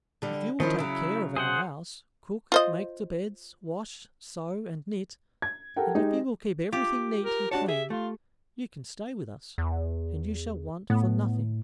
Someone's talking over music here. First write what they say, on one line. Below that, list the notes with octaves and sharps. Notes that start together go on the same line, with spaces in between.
"If you will take care of our house, cook, make the beds, wash, sew, and knit; and if you will keep everything neat and clean, you can stay with us, and you shall want for nothing."
D3 G3
D#3 F3 C#4 E4
C#3 F#3 E4
G#4 C5 F#5
F4 C5 D#5
G#6
G4 A4 A#4 F#5 G5
G#3 D#4 G4 D#5 G5
F4 G4
A#4
D4 F#4 C#5 A5
G#4 E5
A3 F4
E2
A2 B3